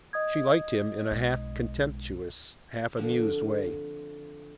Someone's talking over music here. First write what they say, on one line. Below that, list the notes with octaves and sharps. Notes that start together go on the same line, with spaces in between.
She liked him in a half-contemptuous, half-amused way.
D#5 D#6 G#6
B1 G#3
D3 F3 C4